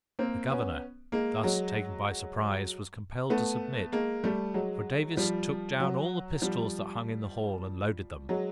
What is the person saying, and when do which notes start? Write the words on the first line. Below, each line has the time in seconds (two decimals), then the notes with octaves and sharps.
The governor, thus taken by surprise, was compelled to submit; for Davis took down all the pistols that hung in the hall, and loaded them.
0.19 A#3 C4
0.50 B3 C#4
1.12 G#3 A#3
1.44 F#3 G#3
3.30 A3 B3
3.92 G#3 A#3
4.24 G3 A3
4.54 F#3 G#3
5.17 F3 G3
5.80 F#3
6.42 F3 G3
8.29 F#3 G#3